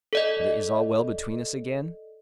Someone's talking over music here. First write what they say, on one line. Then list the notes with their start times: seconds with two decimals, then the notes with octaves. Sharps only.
"But it is all well between us again?"
0.13 A4 D5 D#5